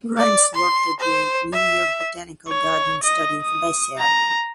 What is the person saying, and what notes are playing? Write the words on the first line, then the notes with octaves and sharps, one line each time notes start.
Grimes worked at the New York Botanical Garden studying Fabaceae.
D5
C6
C5
E5
C#5
D#5
D#6
A#5